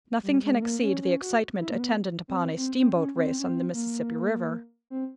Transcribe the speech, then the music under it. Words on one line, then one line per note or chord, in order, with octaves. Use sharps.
Nothing can exceed the excitement attendant upon a steamboat race on the Mississippi river.
G3
G#3
A3
A#3
C#4
C#4
F#4
E4
A#3
B3
C4
C4
C4
C#4
C4
C#4
C4
A#3
C4